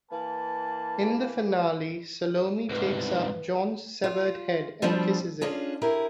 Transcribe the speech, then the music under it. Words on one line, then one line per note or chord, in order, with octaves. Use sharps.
In the finale, Salome takes up John's severed head and kisses it.
E3 A#3 B4 A5
C2 G#2 B4
F4
B2 F3 G3 C4 D4
C#4 D4 F4 G#4
E4 G4 G#4 A#4